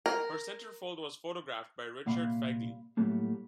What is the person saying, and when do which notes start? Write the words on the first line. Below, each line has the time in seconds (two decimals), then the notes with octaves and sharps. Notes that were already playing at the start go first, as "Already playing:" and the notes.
Her centerfold was photographed by Richard Fegley.
0.06 A#4
2.06 C2 A#2 A#3 F5 B5
2.97 A2 F#3 G3 A3 A#3